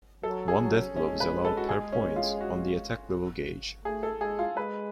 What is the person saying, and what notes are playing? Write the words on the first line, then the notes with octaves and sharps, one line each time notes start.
One deathblow is allowed per point on the Attack Level gauge.
F#3 A4
G#4
F#3
C#4
G#3 C#4
B4
A4
F#4
G#4
C#4
F4
F#4
A3 G#4
A4
G#3 G#4
F4
G#3 B4